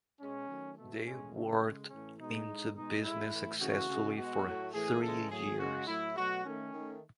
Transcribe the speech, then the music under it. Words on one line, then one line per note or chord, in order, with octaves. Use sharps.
They worked in the business successfully for three years.
B2 G#3 C#4
D#3 F#3 A3
B2 A3
A2 G#3 C#4
C#3 F#3 A3
C#3 G#3
A2 E3 A3 C#4
B2 G#3 D#4
A2 G#3
B2 G#3 D#4
A2 G#3 E4
A2 E3 A3
C#3 E3 A3 F#4
C#3 G#3
B2 G#3 F#4
A2 F#3 A3
A2 E3 A3 G#4
C#3 E3 G#3 A4
A2 F#3 A3 G#4
C#3 G#3 F#4
A2 F#3 A3 E4
B2 F#3 A3 F#4
D#3 A3 C#4
D#3 A3